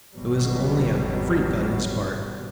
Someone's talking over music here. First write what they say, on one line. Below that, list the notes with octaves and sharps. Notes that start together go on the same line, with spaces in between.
It was only a freak on his part.
G#1 E2 B2 F#3 G3